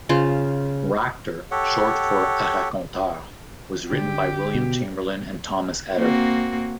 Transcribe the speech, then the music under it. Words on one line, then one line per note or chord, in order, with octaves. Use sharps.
Racter, short for "raconteur", was written by William Chamberlain and Thomas Etter.
C#3 F4 C5
G4 A4 C#5 F#5
D3 G4
B2
A#3 C4 F#4